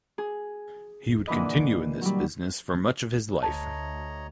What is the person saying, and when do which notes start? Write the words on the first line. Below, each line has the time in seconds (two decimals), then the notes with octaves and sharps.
He would continue in this business for much of his life.
0.18 G#4
1.27 A#2 D3 E3 B4 D#5
2.01 F#3 G3
3.43 D2 C#5 D#5 A5 A#5